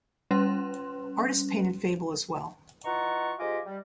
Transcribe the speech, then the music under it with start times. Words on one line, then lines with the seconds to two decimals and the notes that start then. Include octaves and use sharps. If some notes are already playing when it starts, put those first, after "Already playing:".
Artists paint in fable as well.
0.31 G3 C#4 B4 C6
2.84 E3 D#4 F4 F#5 A#5 C#6
3.39 G#2 F4 G4 D#5 G#5 D6
3.66 G3